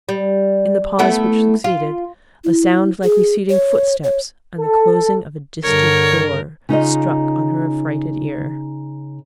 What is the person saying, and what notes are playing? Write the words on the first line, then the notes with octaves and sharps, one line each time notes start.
In the pause which succeeded, a sound like receding footsteps and the closing of a distant door struck on her affrighted ear.
G3
A3 B3 E4
F4
E4
G#4
C#5
C#5
A4
G2 D3 A#4 C#5
C#3 D#4 F4 D#5